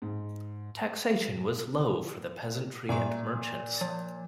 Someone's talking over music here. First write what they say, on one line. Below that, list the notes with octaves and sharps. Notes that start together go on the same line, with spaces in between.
Taxation was low for the peasantry and merchants.
G#2
A#2 E5 A#5 C#6
F3 A6